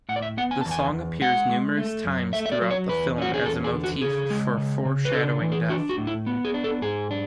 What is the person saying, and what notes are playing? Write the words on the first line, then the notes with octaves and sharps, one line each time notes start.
The song appears numerous times throughout the film as a motif for foreshadowing death.
A2 F#5
D5
E5
B3 F#5
G#5
E2 A5
G#5
E2
G#3 F#5
G#3
A3
F#2
A3 E5
E5
D5
F#3
C#5
E2 B4
C#4 F#4
G#4
E2 A4
G#4
D3
F#4
C#3 G#4
G#3
C#3
C#3
B4
D4 A4
E3
G#4
D4 F#4
F#4
A2
E4
B3
G#4
D4
A4
G#2 G#4
D4